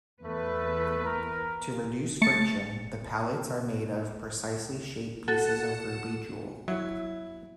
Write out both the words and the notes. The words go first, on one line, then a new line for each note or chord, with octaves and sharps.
To reduce friction, the pallets are made of precisely shaped pieces of ruby jewel.
E2 A3 B4
A#4
A3 A6 C#7
F#4 A4
F#3 E4